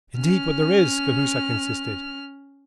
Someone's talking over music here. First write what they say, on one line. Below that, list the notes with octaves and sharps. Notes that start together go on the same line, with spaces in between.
"Indeed, but there is," Cahusac insisted.
C#4 F6